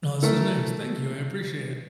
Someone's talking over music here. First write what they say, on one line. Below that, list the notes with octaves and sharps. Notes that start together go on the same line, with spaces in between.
No, this was nice. Thank you, I appreciate it.
E3 A3 A4 A#4